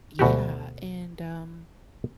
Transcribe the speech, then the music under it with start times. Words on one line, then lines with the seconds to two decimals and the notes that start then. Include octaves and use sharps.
yeah, and, um,
0.19 D2 B2 F#4 G4